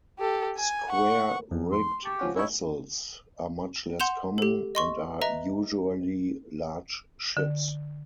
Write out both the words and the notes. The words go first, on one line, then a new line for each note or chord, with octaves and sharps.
Square-rigged vessels are much less common, and are usually large ships.
G4 A4
G#5
F#5 C#6
F2
C6
G4 A5 C#6
F3 C#4 F#4
C#4 D#4 E4 C#5
F#5 C6 G6 E7 F7
G4 A4
D#5 C6 C#6
B4 D#5 E5 A#5
D3